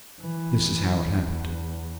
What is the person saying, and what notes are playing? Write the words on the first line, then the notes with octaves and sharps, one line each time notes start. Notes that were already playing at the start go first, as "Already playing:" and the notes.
This is how it happened.
E3
E2